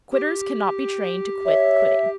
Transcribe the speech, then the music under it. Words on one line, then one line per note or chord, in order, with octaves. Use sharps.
Quitters cannot be trained to quit quitting.
G4
C#5 E5